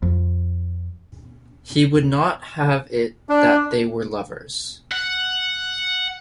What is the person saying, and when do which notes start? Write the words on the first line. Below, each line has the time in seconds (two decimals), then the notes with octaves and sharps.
He would not have it that they were lovers.
0.02 F2
3.29 D4
4.92 F#5